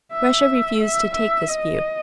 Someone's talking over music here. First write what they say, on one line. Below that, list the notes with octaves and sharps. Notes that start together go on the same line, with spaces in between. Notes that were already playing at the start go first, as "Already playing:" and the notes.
Russia refused to take this view.
E5
E5
E5
D#5